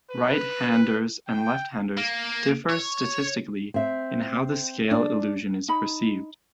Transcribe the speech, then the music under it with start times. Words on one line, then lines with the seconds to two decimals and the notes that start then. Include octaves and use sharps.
Right-handers and left-handers differ statistically in how the scale illusion is perceived.
0.10 B4
1.27 G5
1.98 A#3
2.69 C#5
3.74 C4 E5
4.91 D4
5.68 D#4 B5